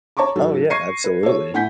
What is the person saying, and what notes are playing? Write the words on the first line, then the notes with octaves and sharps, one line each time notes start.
Oh, yeah, absolutely.
C#5 A5 A#5 C#6 D6
G#2 F#3 A4
C#6 G#6 A#6 C7 C#7 D#7
B4
A4 C#5
A2 F#5 G#5 G6 B6